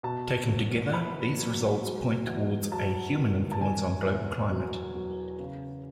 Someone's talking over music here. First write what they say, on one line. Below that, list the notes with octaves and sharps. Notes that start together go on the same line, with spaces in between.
Taken together, these results point towards a human influence on global climate.
B2 A5
E1
E2 B5
F#3
F#3
E2
F#3 A5
D#3
A5
E1 G#5
E2
F#3
F#3
C#3